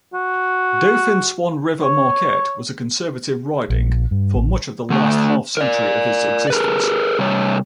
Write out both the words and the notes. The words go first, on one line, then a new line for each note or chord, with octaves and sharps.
Dauphin-Swan-River-Marquette was a conservative riding for much of the last half-century of its existence.
F#4
C#5
A#1
G2
A1
D3 A3
A#4 D5
G#4 A#4 B4
C3 G3 C#5